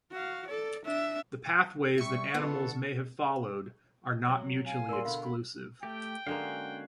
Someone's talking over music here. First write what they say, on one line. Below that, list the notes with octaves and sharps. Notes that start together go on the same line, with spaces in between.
The pathways that animals may have followed are not mutually exclusive.
F#4 F5
A4 D5
D4 E5
G3 E5 C#6 C#7
D3 B3 F4 A4
F#3
F5 G#5
E2 A#2 A#4 C6
B2 D3 F5 B5
B5
A3 G4 G5
D3 G#3 A#3 C#4 F#4 F5